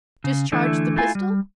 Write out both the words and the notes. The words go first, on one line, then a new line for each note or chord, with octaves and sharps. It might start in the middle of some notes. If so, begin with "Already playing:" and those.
Discharge the pistol?
C#3
D3 E3 A3 D4 E4
A3 E4 F4 G#5
G3